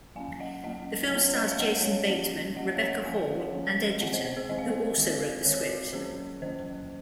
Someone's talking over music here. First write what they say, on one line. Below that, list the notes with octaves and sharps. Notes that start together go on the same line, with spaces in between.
The film stars Jason Bateman, Rebecca Hall and Edgerton, who also wrote the script.
F#3 A#3 C#4 F5 G#5
D#5 F#5
F#3 A#3 C#4 D#5 F#5
F#3 A#3 C#4
C#5
D#5
F5
F#3 A#3 C#4 D#5 F#5
C#5 F5
F3 A#3 C#4
F3 A#3 C#4 D#5 F#5
C#5 F5
D#5 F#5
F3 A#3 C#4 F5 G#5
F3 A#3 C#4
D#3 G#3 C4 D#5 F#5
C5 D#5
C5 D#5
G#4 C5
D#3 G#3 C4 D#5
F5
C5 D#5
D#3 G#3 C4
D#3 G#3 C4 A#4 C#5
F#4 A#4
D#3 F#3 A#3 C#4 G#4 C5
D#3 F#3 A#3 C#4 C5 D#5